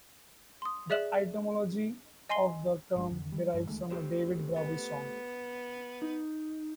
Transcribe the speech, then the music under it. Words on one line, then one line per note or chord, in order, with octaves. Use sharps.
The etymology of the term derives from a David Bowie song.
C6 D#6
G#4 D5 E5 F#6 E7 F#7
D#5 G#5 C6 C7 G7
G1 G#3 D4
F2 D3
G3
G2
D2 D#3 G#3 A3
A3 G4 C5
B3
D#4